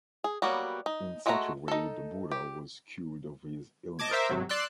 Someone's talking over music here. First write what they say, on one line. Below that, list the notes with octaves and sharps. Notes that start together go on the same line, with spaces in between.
In such a way the Buddha was cured of his illness.
G#4
F#3 G3 A#3 B3 F#4
D#4
G#3 A3 F#4 B4 A#5
D#4 A4
G4
D#5 A5 D6 G#6
A#4 C5 E5 D6
G#1 C3 F#3
D5 C6 E6 F#6